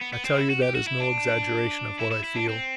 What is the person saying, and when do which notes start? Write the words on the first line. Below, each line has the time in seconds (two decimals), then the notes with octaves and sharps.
I tell you that is no exaggeration of what I feel.
0.01 B3
0.13 B3
0.25 C4
0.38 E4
0.50 F#4
0.63 G4
0.75 F#4
0.87 E4
1.00 D4
1.99 E4
2.11 E4
2.24 E4
2.36 D4
2.49 C4